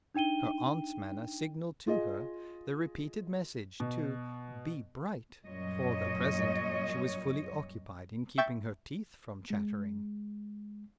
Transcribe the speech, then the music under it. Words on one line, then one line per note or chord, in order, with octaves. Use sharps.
Her aunt's manner signalled to her the repeated message to "be bright"; for the present she was fully occupied in keeping her teeth from chattering.
D4 D#4 G5 D#7 G7
F4 G#4 D#5
B2
F#2 A#2 G3 C#5 D#5
E5 G5 C#6 G6 A6
G#3